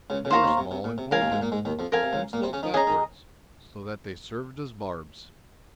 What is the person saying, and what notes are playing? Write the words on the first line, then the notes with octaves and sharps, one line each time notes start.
They were small and pointed, and sloped backwards, so that they served as barbs.
C#2 C#3
C#3
D#2 D#3 C5 F5 A#5 C#6
D#2 D#3
C3
C3
A#2
C3
C#2 C#3 A#4 F5 G#5
D#2 D#3
G#2 G#3
A#2 A#3
G#2 G#3
D#2 D#3
F2 F3
F2 F3 A#4 F5 G#5
C3
C#2 C#3
A#2 A#3
C3 C4
C#3 C#4
D#3 D#4
C#3 C#4 G#4 D#5 A#5
D#3 D#4